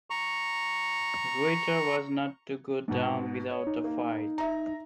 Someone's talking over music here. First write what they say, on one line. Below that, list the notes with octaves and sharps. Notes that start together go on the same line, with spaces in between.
Reuter was not to go down without a fight.
A#5 C#6
G#2 B2
C#5
D#4
A#3
E5 A#5